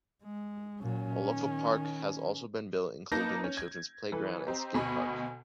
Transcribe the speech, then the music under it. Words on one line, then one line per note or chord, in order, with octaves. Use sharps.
A local park has also been built including a children's playground and skatepark.
G#3
A#2 F#3 C#4
D#3
A#3 D#4 B4 A5 G6 A#6
C#4
G#6
E3 A4 B4
C4 G4 D#5 A#5
D2 B2 D#5 G#5 B5 C#6